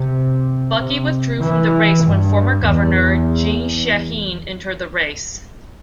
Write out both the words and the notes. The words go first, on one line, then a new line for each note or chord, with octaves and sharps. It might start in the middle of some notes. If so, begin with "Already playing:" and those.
Buckey withdrew from the race when former Governor Jeanne Shaheen entered the race.
Already playing: C3
C3
E3
G2
E2